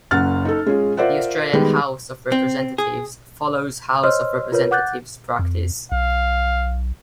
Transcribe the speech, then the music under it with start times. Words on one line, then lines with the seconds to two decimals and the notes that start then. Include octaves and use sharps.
The Australian House of Representatives follows House of Representatives Practice.
0.11 F#1 F#2 F#5 F6 A6
0.45 D#4 A4
0.66 G#3 C#4 F4 G#4
0.97 F4 A#4 C5 D5 E5 F#5
1.53 D#3 G3 G#3 B3
2.32 C4
2.78 G#4
4.03 C5 C#5 D#5 C6 E6 F6
4.52 F4 A#4 B4 C#5
4.71 F#5 D6 F#6 G6 A6
5.39 F2
5.92 B1 F5